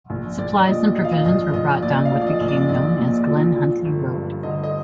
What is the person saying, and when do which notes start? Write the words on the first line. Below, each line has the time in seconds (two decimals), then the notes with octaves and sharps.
Supplies and provisions were brought down what became known as Glen Huntly Road.
0.10 A#1
0.38 A#1 D5
0.67 A#2 D#5
0.96 F3 D#5
1.05 F5
1.12 D#5
1.25 A#1 D#5
1.54 A#1 D#5
1.82 A#2 D5
2.05 F5
2.12 F3
2.21 D5
2.27 D#5
2.40 A#1
2.48 D5
2.69 A#1 D#5
2.98 A#2
3.28 F3
3.56 F3
3.85 G1
4.14 G2
4.43 D3 D#5
4.63 D#5